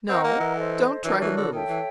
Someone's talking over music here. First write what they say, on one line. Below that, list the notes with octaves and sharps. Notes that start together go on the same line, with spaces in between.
No, don't try to move.
C4 A#4 D#5 F#5
A#3
E3
A4 C5 D#5
E3 D4 F#4 A#4 C#5
E3
D3
D#3 A4 C#5 E5 G5
E3